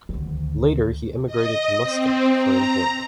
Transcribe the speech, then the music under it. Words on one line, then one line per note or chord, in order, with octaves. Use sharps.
Later he emigrated to Muscat for employment.
D2 D#3
D#5
C4
A#5